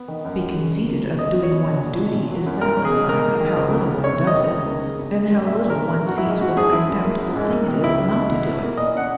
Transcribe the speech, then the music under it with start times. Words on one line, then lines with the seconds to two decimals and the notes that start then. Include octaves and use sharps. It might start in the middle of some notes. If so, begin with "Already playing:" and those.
To be conceited of doing one's duty is then a sign of how little one does it, and how little one sees what a contemptible thing it is not to do it.
Already playing: B3
0.08 D#3
0.25 F#2
0.40 C#4
0.56 C#3
0.72 C#2
0.88 A#3
1.03 C#3
1.19 E2 D#5
1.35 B3
1.43 C#5
1.51 B2
1.66 A#1
1.83 A#1
1.99 G#2
2.14 G#1
2.31 F#3
2.46 F#2
2.61 B1 A#4
2.77 C#4
2.85 G#4
2.94 B2
3.09 G#2 A#4
3.25 A#3
3.41 D#3
3.57 C#2
3.72 B3
3.88 C#3
4.04 E2 C#5
4.20 E4
4.27 D#5
4.35 D#3
4.51 C#2
4.68 A#3
4.83 C#3
4.99 G#1
5.15 G#3
5.30 F#2
5.46 A#2 E5
5.62 A#2
5.70 A#4
5.78 A#3
5.93 G#1 A#4
6.07 G#1 F#4
6.18 E4
6.25 G#2
6.41 G#1 F#4
6.56 G#1 G#4
6.72 F#2 E4
6.89 G#1
7.04 A#3
7.21 F#2
7.36 G#2
7.51 A#3
7.68 D#3
7.83 C#2 E4
7.98 C#2
8.15 B2
8.30 B2
8.46 E4
8.63 A#3
8.77 A#2 D#5
8.94 C#4 F#5